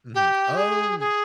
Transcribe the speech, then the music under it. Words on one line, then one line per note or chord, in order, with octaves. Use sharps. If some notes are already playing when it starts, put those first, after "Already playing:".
Mhm. Um,
G4
G#4
G#4